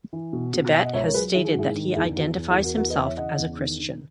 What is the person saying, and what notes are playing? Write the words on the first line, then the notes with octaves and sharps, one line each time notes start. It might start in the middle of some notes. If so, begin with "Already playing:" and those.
Tibet has stated that he identifies himself as a Christian.
E3
B2
B2
B2 E5 G#5
D#5 F#5
C#2 C#5 E5
A#4 C#5
F#3 G#4 B4
D#3 E4 G#4
G#4
F#4
G#2 E4 G#4
D#3
E2 E4 G#4
E2 F#4
E2
E4 G#4
E2
F#4 A#4
E2 F#4 A#4
B4 D#5
E3
C#5 E5
C#3 D#5 F#5
E2
D#3
D#3